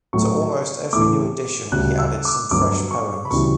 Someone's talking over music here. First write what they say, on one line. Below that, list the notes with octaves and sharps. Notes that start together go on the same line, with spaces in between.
To almost every new edition he added some fresh poems.
A2 F#3 A3 C#6
A2 E3 A3 D6
D2 C#3 G3 F#6
E6
D6
G2 D3 F#3 A3 D6
C#6
B5
D2 C#3 E3 G3 C#6